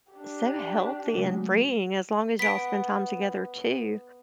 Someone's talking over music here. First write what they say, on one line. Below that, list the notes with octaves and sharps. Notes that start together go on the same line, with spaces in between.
so healthy and freeing as long as y'all spend time together too,
D4 G4
C#3 F#3 G#3 A3
B3 B6 D7